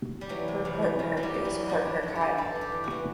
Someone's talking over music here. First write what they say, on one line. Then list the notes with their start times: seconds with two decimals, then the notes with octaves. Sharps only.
Her partner is Partner Kyle.
0.21 G3
0.29 E3 F#3
0.48 C3
0.65 E2
0.82 E3
0.99 E2 F#3
1.17 E2 F#3
1.23 G3
1.34 E3
1.45 F#3
1.51 E2
1.69 F#2 G3
1.86 D3
2.03 D3 A4
2.15 G4
2.21 F#2
2.38 G2 A4
2.55 G2
2.61 G4
2.72 E3
2.84 F#4
2.91 E3